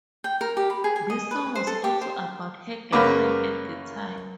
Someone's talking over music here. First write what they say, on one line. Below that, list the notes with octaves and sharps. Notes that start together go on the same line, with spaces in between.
This song was also about her girlfriend at the time.
G5
A#4
G4
B5
G#4
G#5
D#5
B4
C5
A4
G4
C5
F#2 C#3 A#3 B4 D6